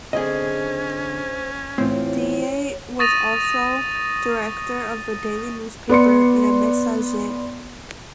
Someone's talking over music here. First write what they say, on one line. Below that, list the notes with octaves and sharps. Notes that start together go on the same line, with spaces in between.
Ndiaye was also director of the daily newspaper "Le Messager".
D3 C4 C#4 G#4 C5 D#5
A2 E3 C4 F4 C#5
C#6 D#6 A6 A#6 D#7 F7
B3 D5 C6 C#7